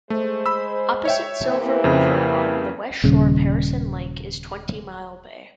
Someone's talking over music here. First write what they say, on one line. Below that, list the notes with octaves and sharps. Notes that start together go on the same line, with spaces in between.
Opposite Silver River on the west shore of Harrison Lake is Twenty-Mile Bay.
G#3 A3 G#4 C5
B5 E6
C#5 E5 G5
C3 E3 A#3
F2 C#3
D#1 C#3